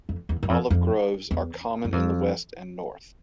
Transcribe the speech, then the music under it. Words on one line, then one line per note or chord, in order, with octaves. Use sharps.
Olive groves are common in the west and north.
F2
E2
F#2
F2
F2
E2
F#2
F2